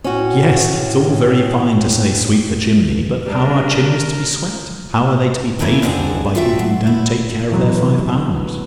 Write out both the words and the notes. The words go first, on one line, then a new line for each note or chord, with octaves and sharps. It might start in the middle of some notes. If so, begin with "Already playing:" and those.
Yes, it's all very fine to say sweep the chimney--but how are chimneys to be swept--how are they to be paid for by people who don't take care of their five pounds?
A2 C#4 F#4
C#3 G3 D4 A#4
A3 A#3 C#4 E4 F#4 A#4
F2 D3 G3 C4 D4 G#4
F4 F#4 A4 C5 E5 G5
F#3
E4
E2 F#3 B3